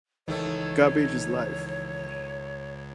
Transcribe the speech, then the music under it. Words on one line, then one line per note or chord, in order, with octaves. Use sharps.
Garbage is life.
C#2 D#3 E3 A3 C#5